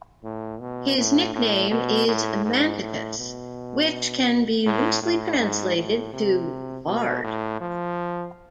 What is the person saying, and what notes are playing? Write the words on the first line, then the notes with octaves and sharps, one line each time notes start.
His nickname is "Mantecas", which can be loosely translated to "lard".
A2
B2
A2
A2
B2
A2
G#2
A2
B2
A2
A2
G#2
A2
C3
B2
A2
F3